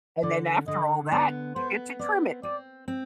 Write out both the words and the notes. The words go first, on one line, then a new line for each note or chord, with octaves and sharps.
And then, after all that, you get to trim it.
D3 D5
D3 D#5
B3 D5
B3 C5
C4 D5
C4 D5
C4